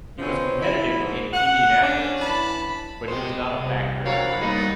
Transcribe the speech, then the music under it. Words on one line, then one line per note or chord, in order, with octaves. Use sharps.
He was competitive in Indianapolis, but he was not a factor in the race.
B2 F3 C4 C#4
F3 E4 B5
G#2
F#5
C#4 D4
E3 A5 B5
G#3 B3 G4 C5
C2 C3 G3
C4 D4 F#4 A#4 C#5 F5 B5
G2 G3 A#3 B3 D#4